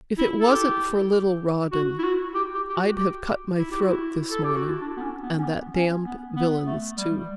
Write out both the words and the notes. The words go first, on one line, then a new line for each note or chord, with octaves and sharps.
"If it wasn't for little Rawdon I'd have cut my throat this morning--and that damned villain's too."
E4
A4
G4
F#4
E4
F#4
G4
G4
G4
F#4
G4
E4
G4
F#4
E4
A4
G4
F#4
E4
D4
B3
C#4
B3
C#4
B3
C#4
B3
B3
A3
G3
G3